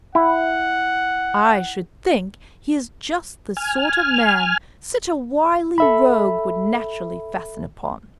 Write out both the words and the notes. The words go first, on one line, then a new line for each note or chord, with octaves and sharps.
'I should think he is just the sort of man such a wily rogue would naturally fasten upon.'
E4 F#5
G#5 F6
A4 E5 B5